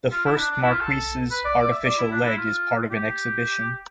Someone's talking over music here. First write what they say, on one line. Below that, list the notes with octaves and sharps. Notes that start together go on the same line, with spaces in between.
The first Marquess's artificial leg is part of an exhibition.
F4
E4
D4
D4
E4
F4
A4
B4
D5
D5
E5
D5
E4
D4
E4
F4
G4